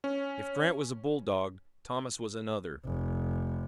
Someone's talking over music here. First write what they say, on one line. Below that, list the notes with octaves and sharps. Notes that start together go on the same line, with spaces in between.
If Grant was a bulldog Thomas was another.
C#4
F1